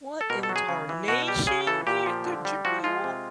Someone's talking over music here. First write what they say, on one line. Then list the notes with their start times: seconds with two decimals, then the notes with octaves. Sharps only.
What in tarnation? They're they're gypping you off.
0.21 A4
0.30 B2 A#4
0.43 A4
0.49 F#3
0.56 G#4
0.69 C#3
0.89 E3
1.08 B2 F#4
1.27 G3 G4
1.47 C#3 G#4
1.67 E3 A4
1.87 A#2 G4
2.06 F3
2.25 D3
2.45 G3
2.65 F3 F#4
2.84 G#3 F4
3.04 C3